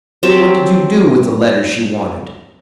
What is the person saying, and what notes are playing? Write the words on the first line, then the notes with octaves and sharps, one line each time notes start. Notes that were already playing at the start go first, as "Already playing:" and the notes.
"What did you do with the letters she wanted?"
F#3 C4 G4 A5